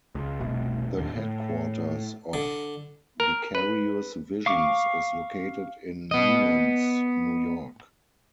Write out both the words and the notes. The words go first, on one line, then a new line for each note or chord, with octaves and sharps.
The headquarters of Vicarious Visions is located in Menands, New York.
C#2
F1 C2 B2 A3
D1 D#2 D3
A2
D3
A#4
B4
F5 C#6 D6
B3 D#5